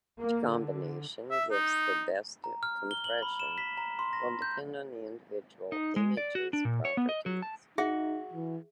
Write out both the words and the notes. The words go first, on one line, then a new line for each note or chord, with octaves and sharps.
Which combination gives the best compression will depend on the individual image's properties.
A#3
D3
E5
D#4
A#5
F6
G7
F#7
B5
E7
B6
A#5
C6
A#6
G6
D#4
G#3
D5
F#4
D4
A#2
C#5
B3
D#5
F#3
A5
D#4 F#4 G#4 E5
E3